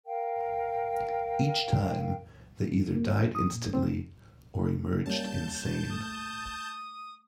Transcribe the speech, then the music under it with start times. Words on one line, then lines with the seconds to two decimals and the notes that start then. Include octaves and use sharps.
Each time, they either died instantly or emerged insane.
0.06 A#4 F5 G5
2.72 E2
2.93 A#3
3.24 F#2
3.35 D#6
3.53 A#2
3.74 C4
5.06 G3 A#3 C#4 A5 G6
5.90 A3 D#6